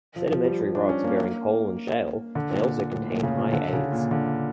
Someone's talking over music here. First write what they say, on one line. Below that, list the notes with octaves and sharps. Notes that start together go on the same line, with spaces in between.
Sedimentary rocks bearing coal and shale may also contain high As.
F3
F3
G3
G3
D4
C#4
A#3
D3
A#2
A2
A#2
C#3
A#2
D3
C#3
A#2
D3